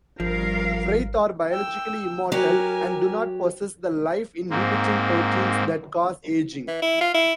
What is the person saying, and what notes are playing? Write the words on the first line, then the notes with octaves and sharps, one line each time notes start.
Wraith are biologically immortal and do not possess the life-inhibiting proteins that cause aging.
G#1 G2 F3 A#4 F5
G5 E6
F#3 G4 A#4 G#5
G#2 A#3 C4
E3
E4
F4
E4